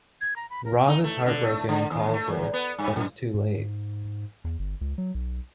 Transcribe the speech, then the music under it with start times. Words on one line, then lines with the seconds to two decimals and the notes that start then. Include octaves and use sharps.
Rob is heartbroken and calls her, but it's too late.
0.21 G#6
0.36 A#5
0.50 B5
0.65 A#4
0.87 D#4
1.04 A3
1.26 D3
1.43 A3
1.69 D3
1.91 D#2
2.14 A3
2.28 E2
2.54 B3
2.78 G2
2.96 F#2
3.34 G#2
4.44 E2
4.59 G1
4.81 C#2
4.98 F#3
5.14 B1